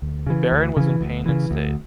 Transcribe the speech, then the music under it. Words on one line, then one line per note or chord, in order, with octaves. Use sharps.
The baron was in pain and stayed.
D2
C#3 E3
D2
C#3 E3
D2
C#3 E3
D2